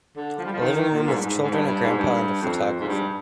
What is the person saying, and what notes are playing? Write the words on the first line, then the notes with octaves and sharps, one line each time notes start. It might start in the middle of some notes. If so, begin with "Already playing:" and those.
A living room with children a grandpa and a photographer.
D3
F3
G3
F3
D#3
D#3
A#2
G#2
G2
G#2
G#2
G2
G2
G#2
G2
F2
G#2
G2